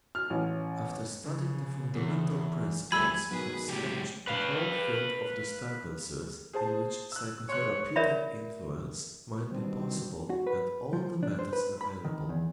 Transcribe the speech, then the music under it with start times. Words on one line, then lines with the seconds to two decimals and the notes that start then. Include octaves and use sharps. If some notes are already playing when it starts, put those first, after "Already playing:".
After studying the fundamental principles, we have sketched the whole field of disturbances in which psychotherapeutic influence might be possible and all the methods available.
0.15 F6
0.30 A1
1.24 C#3
1.95 E2
2.92 F3 G3 A3 G#5 B5 E6
3.30 F#2 B2 D#3 F#3 G#4 B4
3.68 C#2 A2 G4 G#5
4.27 B4 F5
6.53 G#4 C5 A5
7.12 E6 F#6
7.49 C#5 C6 F#6
7.96 A#4 C#5 D5 E5 B5
9.51 B2 D#3 G3 C4 D4
10.30 F#4
10.47 B4
10.93 F3
11.23 D4
11.39 C5
11.53 B4
11.81 B5
12.05 D#3
12.29 E2